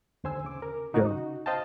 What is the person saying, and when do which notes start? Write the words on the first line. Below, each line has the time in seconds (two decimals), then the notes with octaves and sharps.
you know?
0.24 D#2 D3 C5 G#5 E6
0.45 C#3 D6
0.62 A#4
0.94 C#3 D#4 F#4
1.46 C5 D#5 F5 G5 A5